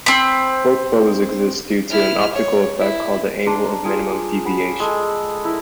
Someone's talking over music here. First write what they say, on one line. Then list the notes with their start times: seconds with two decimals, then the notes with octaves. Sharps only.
Both bows exist due to an optical effect called the angle of minimum deviation.
0.06 C4 B5
1.89 E4 F6
2.33 C#5
2.78 E4
3.47 D4 F5 A#5 C6
3.85 F4 G#4
4.45 F#5 B5
4.80 G#3 A4
5.45 E4 A#4